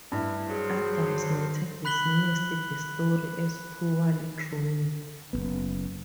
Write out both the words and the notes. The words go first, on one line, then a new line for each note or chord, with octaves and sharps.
Adams later dismissed the story as poorly drawn.
G2 E4
F#3 G#4 C5
B5 F#6 B6 F#7 G7
F#1 F#2 B3